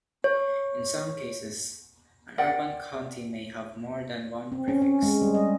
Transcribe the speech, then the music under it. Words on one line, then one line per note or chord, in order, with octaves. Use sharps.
In some cases, an urban county may have more than one prefix.
C#5
A#4 D5 F#5 G5
C4
C#4
C#4
G#3
G3
D#5